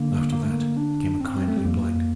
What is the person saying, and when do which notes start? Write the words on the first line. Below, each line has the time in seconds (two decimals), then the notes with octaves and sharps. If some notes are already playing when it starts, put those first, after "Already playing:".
After that came a kindly blank.
Already playing: D3 A#3
0.32 A#3
0.42 A3
0.51 A#3
0.77 D4
1.20 C4
1.48 A3
1.57 G3
1.65 F2 F3 A#3